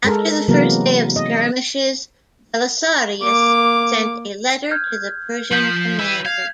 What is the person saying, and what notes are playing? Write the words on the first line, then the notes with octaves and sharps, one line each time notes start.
After the first day of skirmishes, Belisarius sent a letter to the Persian commander.
G#3 A4 A#4
C3 E3 F#3 A#3 B3 A#4
D#5
A#3 D6
F6 G6 G#6
F3 G6 B6 F#7
E4 B4
F5 G#6